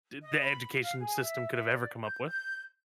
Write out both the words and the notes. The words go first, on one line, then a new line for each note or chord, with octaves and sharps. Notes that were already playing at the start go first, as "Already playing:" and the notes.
s the education system could have ever come up with
D#5
B5
F5
G#4
E5
E5
D5
G6
G6